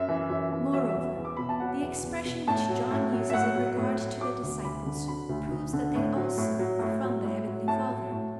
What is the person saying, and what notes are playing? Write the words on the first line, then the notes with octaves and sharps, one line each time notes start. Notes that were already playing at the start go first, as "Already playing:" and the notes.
Moreover, the expression which John uses in regard to the disciples proves that they also are from the Heavenly Father.
Already playing: F#2 E5
E3
F#2
E3
F#3 E5
E5
E2
E2
D6
B2 B5
A5
F#3 F#5
E2
E2
B2
A2 A5
F#3
A2
F#3
E5
A2 F#5
F#3
A2
F#3
F#3 D6
D2
D2 B5
D3
F#3 B5
D2
D2
D3
A2
F#3
A2
F#3
A2
F#3
A2
F#3
A2 A5
F#3
A2